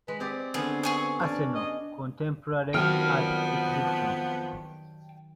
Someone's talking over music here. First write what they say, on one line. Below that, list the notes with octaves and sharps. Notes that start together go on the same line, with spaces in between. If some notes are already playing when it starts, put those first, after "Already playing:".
Arsenal: contemporary art exhibitions.
G#3 B4
C4 G4 G#4 D5
D3 B3 C#4 G#4
G#4 G#5 C#6
C#4 D4 D5
D#5
F2 D#3 F3 F#3 B3 G5 A5 F6